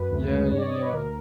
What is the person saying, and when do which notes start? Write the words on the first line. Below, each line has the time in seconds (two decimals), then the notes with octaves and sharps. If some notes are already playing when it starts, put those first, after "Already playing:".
Yeah, yeah, yeah.
Already playing: F#2 B4
0.10 D2
0.31 G#3
0.51 G2 C#5
0.58 D5
0.61 C#5
0.67 D#5
0.72 G2 D5
0.82 B4
0.92 D2 A#4